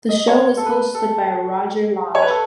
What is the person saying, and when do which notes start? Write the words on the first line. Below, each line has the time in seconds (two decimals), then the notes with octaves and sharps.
The show was hosted by Roger Lodge.
0.09 D#5
0.28 C#5
0.57 A4
0.66 B4
0.94 A4
2.15 C#5
2.22 B4
2.30 A4